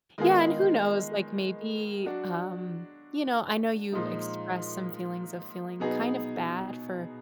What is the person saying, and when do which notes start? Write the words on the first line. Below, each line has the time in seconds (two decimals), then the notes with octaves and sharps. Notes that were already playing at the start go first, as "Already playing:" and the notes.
Yeah and, who knows, like, maybe, um you know, I know you expressed some feelings of feeling kind of bad for
0.18 D#3 G#3 B3 F4 G#4
2.04 F#3 D4 F#4
3.92 A#2 F3 G#3 D#4
5.80 B2 F#3 B3 D#4 G#4